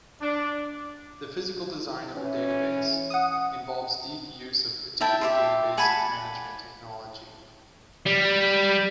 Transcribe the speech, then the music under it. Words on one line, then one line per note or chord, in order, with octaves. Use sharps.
The physical design of a database involves deep use of particular database management technology.
D4
E3 C#4
F#5 D#6
E4 E5 G5 A5
G4 E5 C6
F#5 G#5 A5 B5
G3